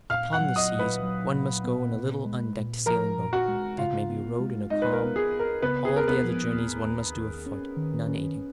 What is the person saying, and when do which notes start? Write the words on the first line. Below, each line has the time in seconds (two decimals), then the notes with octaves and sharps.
Upon the seas one must go in a little undecked sailing boat, that may be rowed in a calm; all the other journeys one must do afoot, none aiding.
0.10 A#2 F5 F6
0.33 F#5 F#6
0.40 F#3
0.56 D#5 D#6
0.72 A#2
0.79 B4 B5
1.02 F#3
1.33 A#2
1.64 B3
1.94 A#2
2.25 G#3
2.56 A#2
2.86 F3 A#4 A#5
3.17 A#2
3.33 F#4 F#5
3.48 G#3
3.78 C#3 F4 F5
4.09 B3
4.40 G#3
4.70 G#3 D#4 D#5
4.82 B4
4.93 A#4
5.01 B3
5.16 G#4
5.32 C#2
5.39 A#4
5.62 C#3 B3 B4
5.85 G#4
5.94 D#2 A#4
6.08 B3 B4
6.24 F3
6.54 D#2
6.85 D#2
7.16 D#2
7.46 C#4
7.77 D#3
8.08 C#4